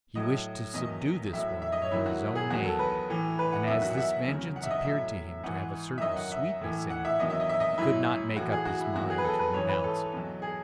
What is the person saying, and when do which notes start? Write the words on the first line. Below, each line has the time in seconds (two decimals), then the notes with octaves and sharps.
He wished to subdue this woman in his own name; and as this vengeance appeared to him to have a certain sweetness in it, he could not make up his mind to renounce it.
0.15 A2 F#3 D#5
0.74 E2 D#3 F#3 D#5
1.33 A2 F#3 E5
1.62 E5
1.72 D#5
1.82 C#5
1.91 G#2 D#3 F#3 E4
2.06 F#4
2.35 G#4
2.50 E2 D#3 F#3 F#4
2.66 A4
2.79 B4
3.08 A2 E3
3.39 B4
3.52 F#5
3.67 E2 D#3 F#3 E5
3.82 F#4
3.90 F#5
3.98 E5
4.26 E2 C#3 F#3
4.56 F#5
4.63 E5
4.70 D#5
4.85 A2 F#3 E5
5.44 G#2 E3 F#5
5.98 E5
6.02 F#2 D#3 F#3 D#5
6.16 F#5
6.32 E5
6.61 A2 E3
6.90 F#5
7.05 E5
7.20 E2 D#3 F#3 D#5
7.30 E5
7.40 D#5
7.49 E5
7.60 D#5
7.78 G#2 F#3 E4
8.36 A2 E3 F#4
8.52 G#4
8.65 F#4
8.81 E4
8.95 E2 D#3 F#3 F#4
9.10 G#4
9.18 B4
9.25 A4
9.39 B4
9.54 G#2 E3 C#5
9.69 B4
9.84 A4
10.13 E2 B2 F#3
10.42 G#4